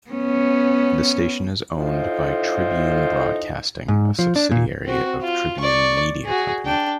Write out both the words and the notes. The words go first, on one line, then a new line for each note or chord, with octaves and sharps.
The station is owned by Tribune Broadcasting, a subsidiary of Tribune Media Company.
B3 C#4
A2 D#4 F4 A4 C5
G#2
F3
D4
A#2
C4 F#4
F4
D5 C#6
F#4 G#4
D4 G5